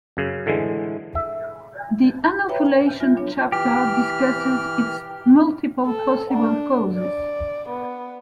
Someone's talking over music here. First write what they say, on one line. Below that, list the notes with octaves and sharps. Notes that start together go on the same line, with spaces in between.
The anovulation chapter discusses its multiple possible causes.
F#2 C#3
A2 D3 E3 G#3
E5
B4 C#5 E5 G5 A#5 B5
G#5
G3 B3 F4 E5 G#5 A#6
F#3 D4 C#5
E3 G4 F6
A4
D4
D5
B3